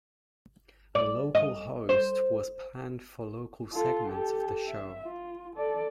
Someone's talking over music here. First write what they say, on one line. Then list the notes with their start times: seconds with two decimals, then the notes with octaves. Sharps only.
A local host was planned for local segments of the show.
0.95 D5
1.35 D#5
1.89 C5
3.73 F4 A4
4.10 G4 A4
4.68 E5
5.02 F4
5.56 A4 D5